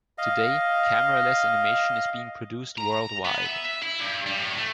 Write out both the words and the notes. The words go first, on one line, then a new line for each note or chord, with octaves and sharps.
Today, cameraless animation is being produced worldwide.
D#5 F5
A#5
B3
E5
E5
E4
G2
G3
A2
A3